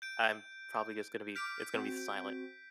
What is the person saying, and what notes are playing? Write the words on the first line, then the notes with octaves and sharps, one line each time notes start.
I'm probably just gonna be, it's gonna be silent.
G6 D7
D6 F6 G6 B6 D7
C4 F#4